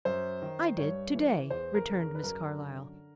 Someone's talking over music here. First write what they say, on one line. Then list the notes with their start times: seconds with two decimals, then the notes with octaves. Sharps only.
"I did to-day," returned Miss Carlyle.
0.05 F#2 C5
0.42 D#3
0.78 G2 C#5
1.15 E3
1.50 E2 C5
1.74 A#4
1.88 C#3
1.99 A#4
2.15 B4
2.24 F#2 A#4
2.59 D3